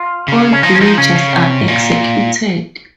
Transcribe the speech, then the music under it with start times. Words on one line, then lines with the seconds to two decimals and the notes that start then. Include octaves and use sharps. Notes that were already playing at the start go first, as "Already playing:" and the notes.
All villagers are executed.
Already playing: F4
0.28 C#3
0.52 C#4
0.63 F3 D#4
0.75 C#4
0.81 F3 D#4
0.98 C#3 C#4
1.15 C#3
1.33 C3
1.61 G#2
1.68 A#2